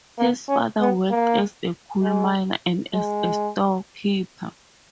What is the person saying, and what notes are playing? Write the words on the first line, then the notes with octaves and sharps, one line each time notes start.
His father worked as a coal miner and as a storekeeper.
A#3
C#4
B3
A#3
G#3
G#3